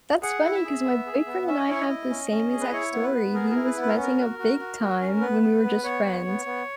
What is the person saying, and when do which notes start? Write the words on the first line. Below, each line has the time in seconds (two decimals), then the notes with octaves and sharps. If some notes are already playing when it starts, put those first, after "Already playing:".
That's funny, 'cause my boyfriend and I have the same exact story. He was messing up big time when we were just friends,
0.23 G#4 F#5
0.44 E4
0.55 E5
0.65 G#4
0.85 B3
1.06 G#4
1.26 B3
1.47 C#4 E5
1.59 D#5
1.69 E4 C#5
1.81 D#5
1.89 E4
2.10 C#4
2.31 C#4
2.51 G#4
2.61 B4
2.72 E4 C#5
2.93 B3
3.03 B4
3.14 B3
3.34 G#4 A#4
3.50 A#4
3.55 E4
3.65 B4
3.77 B3 B4
3.89 A#4
3.97 C#4
4.02 A#4
4.17 F#4
4.39 F#4
4.60 F#4
4.80 F#4
5.00 C#4
5.21 B3 B4
5.43 B3
5.63 B3
5.84 B3 C#5
6.05 B3
6.26 B3
6.46 B3